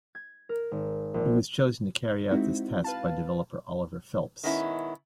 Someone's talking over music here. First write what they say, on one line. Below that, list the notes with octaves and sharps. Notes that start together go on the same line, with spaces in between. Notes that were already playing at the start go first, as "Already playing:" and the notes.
He was chosen to carry out this task by developer Oliver Phelps.
G#6
A#4
G#1
A#1
G#3 C4 D#4 E4 F#4
B4 F5 A5
D#3 G#3 B3 C#4 D#4 E4